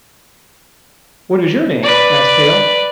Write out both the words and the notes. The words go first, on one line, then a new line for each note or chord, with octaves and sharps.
"What is your name?" asked Hale.
B4 D5